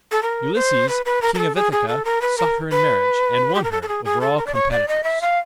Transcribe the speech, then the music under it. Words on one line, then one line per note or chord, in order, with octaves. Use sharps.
Ulysses, king of Ithaca, sought her in marriage, and won her, over all competitors.
A4
A#4
C5
B4
B4
A#4
A#4
A4
G#4
G#4
A4
A#4
B4
A#4
B4
G4
A#4
A4
A4
G#4
G#4
A4
A#4
D5
C#5
D5
D#5
E5
F5